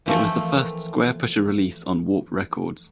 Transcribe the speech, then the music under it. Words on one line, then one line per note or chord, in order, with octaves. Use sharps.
It was the first Squarepusher release on Warp Records.
E3 F3 A3 A#3 C4